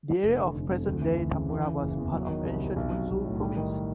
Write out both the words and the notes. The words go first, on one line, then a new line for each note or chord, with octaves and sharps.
The area of present-day Tamura was part of ancient Mutsu Province.
F1
D3
F1
F2
D2
E3
D2
C#3
E3
C#3
F#1
E2
F#3
D#3
C2
C3
B1
F#3
B1
A2
G3
D#3